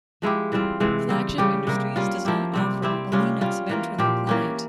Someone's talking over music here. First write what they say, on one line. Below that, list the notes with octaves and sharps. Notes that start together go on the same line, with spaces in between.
Flagship Industries does not offer a Linux Ventrilo client.
F3 G#3 E4 G4
E3 G3 C4 F4
C3 E3 G#3 C4
C#3 G3 C4
C#3 G3 C#4 G4
C3 G3 A#3
G3 C#4 F4
F3 A#3 E4 G4
C3 G3 C4
G3 C4 E4 G4
C3 G3 C#4 F4
G3 C#4 F4
E3 A#3 F4
A#2 F3 C4 G4
E3 A#3 C#4 G4